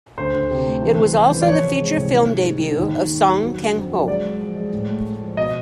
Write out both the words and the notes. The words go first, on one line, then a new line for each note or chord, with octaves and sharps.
It was also the feature film debut of Song Kang-ho.
D2 C5
D2
C3
A3
E3
E3
E3
E3
D5
F3 C#5
C3
G#3
C2
D#3
G#2
G3
G#2
D#2
D#2
D#2
G3
F#3
D3
F2
F#3
G#3 D5
G#3
F3
G#3
A2
A3
A3
F3
B2 D#5